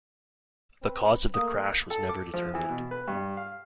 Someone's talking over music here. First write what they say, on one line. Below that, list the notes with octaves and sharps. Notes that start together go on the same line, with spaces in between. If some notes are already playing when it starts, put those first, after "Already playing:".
The cause of the crash was never determined.
C4 B4
A3 A#3 D#6
A4
D6
F3
E3
B2
B4
G2
F5